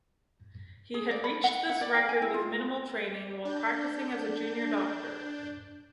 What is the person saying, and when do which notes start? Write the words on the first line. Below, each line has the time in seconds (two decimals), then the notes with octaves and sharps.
He had reached this record with minimal training, while practising as a junior doctor.
0.94 G#4
1.11 D5
1.24 B5
1.44 F#5
1.70 F#5
1.81 D5
1.94 G5
2.09 G#5
2.22 E4
2.34 F4
3.45 D4 G6